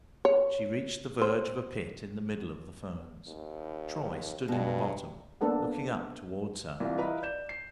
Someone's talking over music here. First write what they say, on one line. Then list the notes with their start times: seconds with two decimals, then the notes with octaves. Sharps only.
She reached the verge of a pit in the middle of the ferns. Troy stood in the bottom, looking up towards her.
0.25 C#5
1.22 C5
3.28 D#2
4.48 G2 B2 G#3
5.41 A#3 B3 D4 A4 B4 F#5
6.80 C2 E3 F4
6.98 E4 B4 D#5 F5 A#5 B5
7.22 D5 G6 E7
7.49 C7